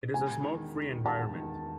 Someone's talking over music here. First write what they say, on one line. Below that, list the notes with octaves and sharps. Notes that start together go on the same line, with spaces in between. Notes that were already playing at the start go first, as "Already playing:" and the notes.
It is a smoke-free environment.
E1 G#5
D#3
D#3
E1 A5
D#3